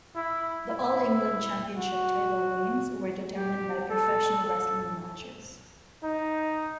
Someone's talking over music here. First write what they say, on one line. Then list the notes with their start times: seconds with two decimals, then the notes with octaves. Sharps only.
The All-England Championship title reigns were determined by professional wrestling matches.
0.16 E4
0.69 E4
1.76 F#4
3.36 G4
3.90 A4
4.43 A4
6.04 D#4